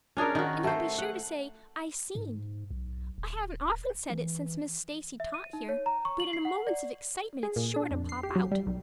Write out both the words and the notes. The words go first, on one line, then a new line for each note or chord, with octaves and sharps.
And I'll be sure to say 'I seen.' I haven't often said it since Miss Stacy taught here; but in moments of excitement it's sure to pop out.
C#4 D4 G#4 A#4
D#3 F#4
A3 C5
F#5
G#2
B1
D1
E3
E5
D#7
D#4
C#5
A#5
C#6
F#7
C7
F#5
D5
G#4
A#2
D4
F2
C7
G4
F#3
G3
B1